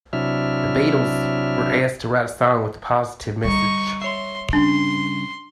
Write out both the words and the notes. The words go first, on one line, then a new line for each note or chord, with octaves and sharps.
The Beatles were asked to write a song with a positive message.
C3 F#3 D4 E4 E5 F6
D3 G3 D#4 C#6
C#5 E5 C6
G2 C#3 D4 C6